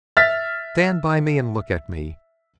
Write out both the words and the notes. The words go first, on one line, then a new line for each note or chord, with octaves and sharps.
Stand by me and look at me.
E5 F6 A6 B6